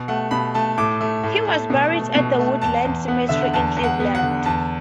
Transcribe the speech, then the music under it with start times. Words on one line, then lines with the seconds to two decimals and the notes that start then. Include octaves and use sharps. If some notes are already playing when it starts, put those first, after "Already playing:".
He was buried at the Woodland Cemetery in Cleveland.
Already playing: B2
0.08 A3 F#5
0.31 B2 B5
0.54 A3 A5
0.77 A2 D6
1.01 A3
1.23 A2
1.47 A3
1.70 B2
1.92 A3
2.15 B2
2.39 A3
2.61 E2 A5
2.85 E2
3.08 B3 F#5
3.29 D3 E5
3.41 F#5
3.53 E2 A5
3.76 E2
3.84 F#5
4.00 B3
4.15 F#5
4.23 D3
4.45 E2 A5